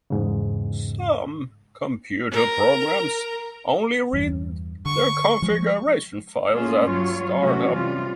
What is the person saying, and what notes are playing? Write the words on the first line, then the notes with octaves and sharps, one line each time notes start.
Some computer programs only read their configuration files at startup.
E2 G#2 C#3
A#4 A#5
E2 G2
D3 C#6
F3 G#3
A3 A#3 C#4 F4 G#4
G2 F#3 F4 C#5
C3 E3 A3 C#4 F#4
C3 G3 F4